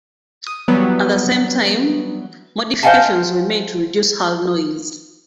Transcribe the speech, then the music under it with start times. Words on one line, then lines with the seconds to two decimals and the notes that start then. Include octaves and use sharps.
At the same time modifications were made to reduce hull noise.
0.47 D#6
0.68 E3 F#3 G3 B3
2.83 C5 D#5 F5 F#5 G#5 A5